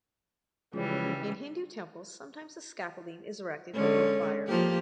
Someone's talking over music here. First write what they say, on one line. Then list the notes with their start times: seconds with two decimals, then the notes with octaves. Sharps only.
In Hindu temples sometimes a scaffolding is erected over a fire.
0.73 C#3 E3 F3 G3 G#3 C#4
3.74 D3 G#3 C#4
4.48 F3 A#3 G4